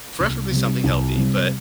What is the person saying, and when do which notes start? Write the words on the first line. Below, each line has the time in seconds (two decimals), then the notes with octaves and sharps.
preferably something healthy, but
0.20 C2
0.52 C3 G3
0.84 C2
1.16 C3 G3